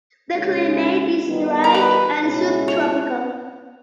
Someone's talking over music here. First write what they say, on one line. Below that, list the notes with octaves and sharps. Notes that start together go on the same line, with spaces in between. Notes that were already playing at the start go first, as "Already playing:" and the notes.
The climate is dry and subtropical.
D#2 C#3 G#3 C#4
E2 D#3 G3 B3 D#4
A#4
B4
C#2 B2 G#3 C#4 E4
C#5